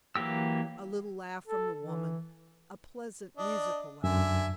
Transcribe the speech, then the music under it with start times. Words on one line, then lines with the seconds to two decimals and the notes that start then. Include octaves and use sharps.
A little laugh from the woman--a pleasant, musical laugh.
0.16 E3 F#3 A#3 G4 E6
1.48 A4
1.83 E3
3.37 D4 D#5
4.04 F#2 D3 E5 G#5